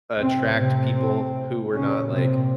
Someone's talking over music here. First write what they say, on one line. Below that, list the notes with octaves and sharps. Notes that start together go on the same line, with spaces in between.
attract people who were not, like,
A2 C3 C4
C3 C4
A#2 C#3 C#4
C3 C4